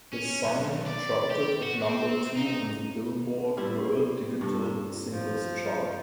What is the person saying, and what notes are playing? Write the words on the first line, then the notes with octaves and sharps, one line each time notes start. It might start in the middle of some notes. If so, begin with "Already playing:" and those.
The song charted at number two on the "Billboard" World Digital Singles chart.
C#4
B1
D5
G4
F#4
C4
D#4
G3 C4 E4
G2 C3 A4
F3